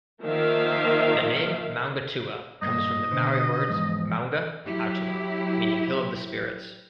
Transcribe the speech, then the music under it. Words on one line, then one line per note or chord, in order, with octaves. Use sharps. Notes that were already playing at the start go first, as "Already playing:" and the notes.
The name Maungatua comes from the Maori words "Maunga-atua", meaning "Hill of the spirits".
D#3 F3 A#3 A#4 E5 F5
G2 A#2 D#5
B2 D3 C5
E2 G#2 F3
F#3 E4 G4